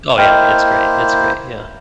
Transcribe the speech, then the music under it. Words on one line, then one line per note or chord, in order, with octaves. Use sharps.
Oh, yeah, it's great, it's great, yeah.
A#3 E4 C5 D#5 G5 F6